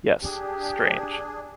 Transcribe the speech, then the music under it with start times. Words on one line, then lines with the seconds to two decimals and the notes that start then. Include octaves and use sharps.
Yes, strange.
0.23 D4 G4 G#4